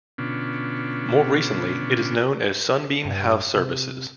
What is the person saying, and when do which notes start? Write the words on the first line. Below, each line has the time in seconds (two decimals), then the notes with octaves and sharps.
More recently it is known as Sunbeam House Services.
0.18 B2 D3 B3 C#4 D4 F4
3.05 G2
3.55 C3